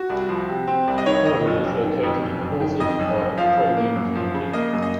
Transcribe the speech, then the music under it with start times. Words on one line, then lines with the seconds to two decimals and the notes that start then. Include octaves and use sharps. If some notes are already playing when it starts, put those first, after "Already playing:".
Emily is located in the northeast part of Crow Wing County.
Already playing: F#4
0.10 C2
0.29 F3
0.48 C3
0.67 C4
0.87 C2
0.98 D#5
1.06 D#3 C#5
1.25 F2 D#5
1.45 F#1
1.64 F#1
1.83 D#3
2.03 F2
2.22 F#1
2.42 F#1
2.60 D#3
2.80 F2 D#5
2.99 F#1
3.19 F#1
3.37 F3 F5
3.57 C#3
3.77 A#3
3.96 F#2
4.16 F3
4.34 C#3
4.53 A#3 D#5
4.73 F#2
4.82 D#5